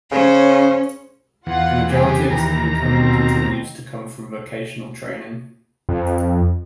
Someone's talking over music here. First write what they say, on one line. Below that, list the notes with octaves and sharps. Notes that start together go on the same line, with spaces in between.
The majority of its income continues to come from vocational training.
C#3 C#4 C5
E2 F4 F#5
G3 G4 G#4
D#2 E3 A#5
B2 C4
F2